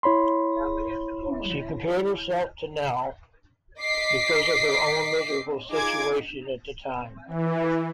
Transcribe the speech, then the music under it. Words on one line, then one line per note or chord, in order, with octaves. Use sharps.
She compared herself to Nell, because of her own miserable situation at the time.
E4 C#5 B5 C6
D#5 D6 B6 C7
D#4 F4 G#4 D6 G#6 D7
E3